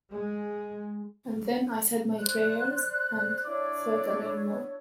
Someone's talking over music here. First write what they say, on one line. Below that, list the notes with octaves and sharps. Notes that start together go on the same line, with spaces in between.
And then I said my prayers and thought a little more.
G#3
C5 D5 F#6
D4 E4 C#5 D5